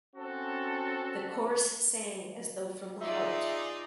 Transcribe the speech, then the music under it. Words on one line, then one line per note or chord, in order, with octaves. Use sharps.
The chorus sang as though from the heart.
C4 C#4 F#4 A4
D#4 F4 G#4 D5 E5